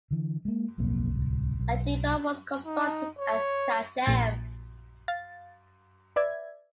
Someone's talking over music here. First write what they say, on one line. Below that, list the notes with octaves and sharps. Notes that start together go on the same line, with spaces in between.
A depot was constructed at Thatcham.
D3 E3
G#3 A#3
D1 B1 F2 A#3
D1 C2
B1
D#4
C#5
A#1 A#2 A6
F5 A6
B4 D5 E5 G#6